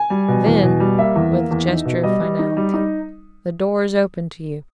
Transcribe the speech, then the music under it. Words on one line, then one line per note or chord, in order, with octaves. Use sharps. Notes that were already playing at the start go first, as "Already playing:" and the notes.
Then," with a gesture of finality, "the door is open to you.
Already playing: G#5
G3
B2
E2
B2
G3
A#3 E5
E2
A#3
E2
D#4
B2
G3 D#5
G3
D#4
G3
D#4